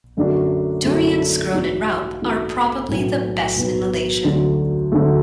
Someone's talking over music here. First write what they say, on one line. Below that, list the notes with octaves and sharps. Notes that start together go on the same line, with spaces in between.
Durians grown in Raub are probably the best in Malaysia.
F#2 D3 A3 D4 F#4
F#2 D3 A3 D4 F#4
G#2 E3 A3 D4 F#4
G#2 E3 A3 D4 F#4
B1 A2 F#3 B3
B1 A2 F#3 B3
D2 D3 F#3 A3
D2 D3 F#3 A3